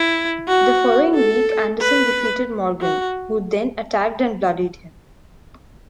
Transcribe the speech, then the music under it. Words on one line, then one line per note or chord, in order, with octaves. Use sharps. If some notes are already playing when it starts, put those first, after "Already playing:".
The following week Anderson defeated Morgan, who then attacked and bloodied him.
Already playing: E4
F#4
A4
B4
F#4